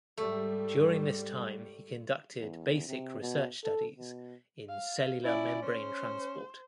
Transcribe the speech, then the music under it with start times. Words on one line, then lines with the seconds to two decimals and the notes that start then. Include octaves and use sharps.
During this time he conducted basic research studies in cellular membrane transport.
0.18 G#2 G3 A3
2.40 E2
2.87 C3
3.21 B2
3.64 A4
3.98 B2
4.69 F5
5.24 C#4 E4 D5
5.62 C#4 C5